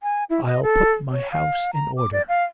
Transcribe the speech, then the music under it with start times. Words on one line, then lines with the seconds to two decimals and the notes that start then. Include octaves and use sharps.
I'll put my house in order.'
0.03 G#5
0.30 E4
0.46 D#5
0.63 A4
1.12 C#5
1.31 F5
1.73 A#5
1.97 D6
2.12 D5
2.28 F5